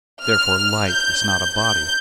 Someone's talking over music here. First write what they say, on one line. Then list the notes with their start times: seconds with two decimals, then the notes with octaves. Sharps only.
Therefore light is not a body.
0.23 F6
0.89 G6
1.56 G6